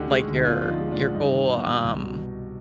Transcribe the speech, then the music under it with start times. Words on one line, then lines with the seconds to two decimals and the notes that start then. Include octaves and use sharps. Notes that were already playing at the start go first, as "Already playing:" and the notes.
like, your your goal, um
Already playing: D2 D3 D#4 G4
0.11 G#3
0.28 D2
0.36 D#4
0.45 B3 D4 F4
0.62 F3 F4
0.68 D#4
0.80 G#3
0.91 D4 F4
0.98 G#2
1.15 G2 D#4
1.32 D#3
1.50 B3
1.67 G2
1.85 C2
2.02 B2
2.19 B3